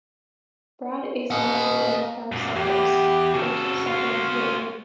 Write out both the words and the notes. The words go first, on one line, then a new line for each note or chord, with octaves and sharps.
Broad asymmetric lateral sepals, dorsal sepal lowered.
A#3 A#4 D#5 F#5
F#2 A#2
E2 G4
C#3 F#4 A4
C#4 F4